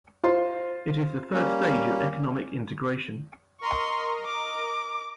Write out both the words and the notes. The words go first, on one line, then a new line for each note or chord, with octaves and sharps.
It is the third stage of economic integration.
F4 C5 C6
G3 A#3 C#4
A#4 D#5 A#5 C6 C#6
D6